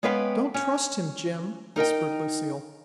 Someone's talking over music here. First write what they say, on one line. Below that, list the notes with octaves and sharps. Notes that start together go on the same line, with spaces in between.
"Don't trust him, Jim," whispered Lucille.
G#3 B3 C#4 B4 F5 G5
C#4
D#4 A#4 D#5 G5